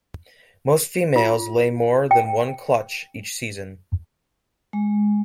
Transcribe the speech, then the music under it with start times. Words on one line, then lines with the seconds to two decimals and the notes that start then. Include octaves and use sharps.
Most females lay more than one clutch each season.
1.16 F4
2.11 G5
4.73 G#3